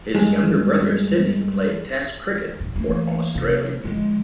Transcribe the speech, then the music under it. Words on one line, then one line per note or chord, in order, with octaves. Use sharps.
His younger brother Sydney played Test cricket for Australia.
G2 G#3
D#1
E3 A3 A#3
C3
D3 F3 G#3